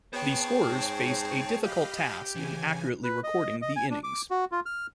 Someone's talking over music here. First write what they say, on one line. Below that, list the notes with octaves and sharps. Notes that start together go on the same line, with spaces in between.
The scorers faced a difficult task in accurately recording the innings.
B3 G#4 C5 C#5 G5 A5
G#2
G4 D#5 F5 B5
C#3 E3 G#5
B4
D#5
D#5
G#5
D4
D6
F#4
F4
F6